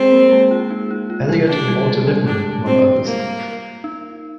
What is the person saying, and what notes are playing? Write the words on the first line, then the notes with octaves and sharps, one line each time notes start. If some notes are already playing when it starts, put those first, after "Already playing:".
Eliot and Walter Lippmann, among others.
Already playing: G#3 C4 G#4
A#3 A#4
G#3 G#4
F4
D#4
F4
F4
G3 G4
D4 F4
G3 G4
G#3 G#4
G3 G4
D4 F4
C4
A#3
D#4